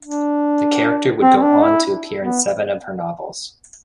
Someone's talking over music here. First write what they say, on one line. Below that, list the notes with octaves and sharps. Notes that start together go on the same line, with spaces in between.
The character would go on to appear in seven of her novels.
D4
C4
C4
D4
E4
B3